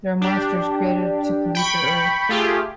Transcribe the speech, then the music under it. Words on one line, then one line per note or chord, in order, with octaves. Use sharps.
The are monsters created to pollute the Earth.
D4 G4
G5 B5 C#6
A3 F4 G4 G#4